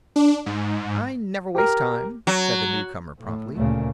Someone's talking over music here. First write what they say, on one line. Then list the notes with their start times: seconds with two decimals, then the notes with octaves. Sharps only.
"I never waste time," said the newcomer, promptly.
0.16 D4
0.46 G#2
1.55 G4 A#4
2.27 F#3
3.21 A2
3.54 D2 A#2 C#3 A3